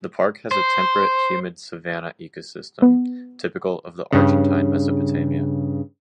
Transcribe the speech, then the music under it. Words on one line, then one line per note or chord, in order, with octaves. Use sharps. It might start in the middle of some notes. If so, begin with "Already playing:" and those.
The park has a temperate-humid savanna ecosystem, typical of the Argentine Mesopotamia.
C5
B3
G2 C#3